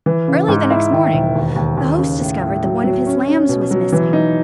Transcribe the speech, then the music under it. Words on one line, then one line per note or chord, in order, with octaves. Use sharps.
Early the next morning the host discovered that one of his lambs was missing.
E3
C#3
G#2
E4
D#3
E1
D#2
D#2
D#2
C#3
A2
A2
F#3
F#3
C#4
C#4
B2
F#3
E3
D#4